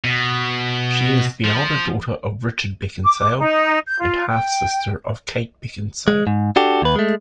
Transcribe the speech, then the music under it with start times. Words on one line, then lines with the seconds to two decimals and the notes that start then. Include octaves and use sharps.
She is the elder daughter of Richard Beckinsale and half-sister of Kate Beckinsale.
0.04 B2
1.45 F3
3.05 D6
3.39 D#4
3.88 G6
4.00 F4
4.29 G5
6.08 G#3
6.27 G#2
6.56 D4 F#4 G4 A4
6.82 D#2 B4
6.96 G#3 A3